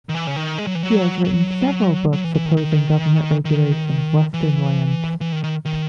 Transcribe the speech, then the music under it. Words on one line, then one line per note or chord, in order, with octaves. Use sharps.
He has written several books opposing government regulation of Western lands.
D#3
E3
C#3
D#3
G#3
F#3
E3
F#3
F#3
F#3
E3
E3
D#3
D#3
D#3
E3
E3
D#3
D#3
D#3